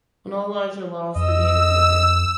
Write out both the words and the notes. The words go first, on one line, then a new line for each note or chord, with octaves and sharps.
When all lives are lost, the game is over.
F2 D#5 E6